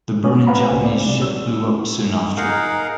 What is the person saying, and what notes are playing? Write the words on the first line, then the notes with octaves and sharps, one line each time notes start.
The burning Japanese ship blew up soon after.
C#4
B4 C5 F5 F#5 A#5 B5
C#2 A#3 G#5
B3 C4 D5
C3 G3 D5
C#4 E6
D#4 G#4 A#4 F5 F#5